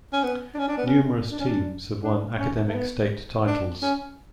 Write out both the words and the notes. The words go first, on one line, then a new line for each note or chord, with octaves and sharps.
Numerous teams have won academic state titles.
C#4
B3
D4
C#4
D4
B3
C#4
D4
C#4
D4
D4
C#4
A3
B3
D4
C#4